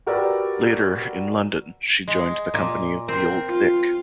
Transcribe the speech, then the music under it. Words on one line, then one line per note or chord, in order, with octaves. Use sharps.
Later, in London, she joined the company of The Old Vic.
F#4 G4 A#4 B4 D5 E6
G#3
A#2
C4 A#4
F4